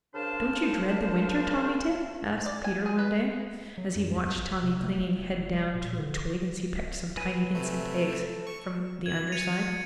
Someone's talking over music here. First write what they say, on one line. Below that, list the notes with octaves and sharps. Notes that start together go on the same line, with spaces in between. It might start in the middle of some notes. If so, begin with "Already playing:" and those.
"Don't you dread the winter, Tommy Tit?" asked Peter one day, as he watched Tommy clinging head down to a twig as he picked some tiny insect eggs from the under side.
C#3 D4 A#4 C5 F5 A5
D5
G#5
G#4
B4
F#3
F#2
E2
A1
C3
A3
F1
G3
A#2
D3
F#3 B4 G#5
C3 A3
A4
C#6
G#6 F#7
G#6 A6 C#7 D#7 F7